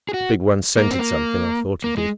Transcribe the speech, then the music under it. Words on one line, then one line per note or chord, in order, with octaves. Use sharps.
"The big one scented something, or thought he did."
G#4
F#4
A#3
C4
A#3
A#3
G#3